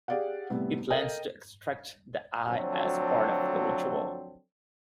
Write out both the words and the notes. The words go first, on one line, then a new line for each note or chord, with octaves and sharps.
He plans to extract the eye as part of a ritual.
G4 G#4 D5 F5 F#5
A2 C3 G3 B3
A4 A#4 D#5 F5 G5
D2 F3 F#3 C4 D4 A4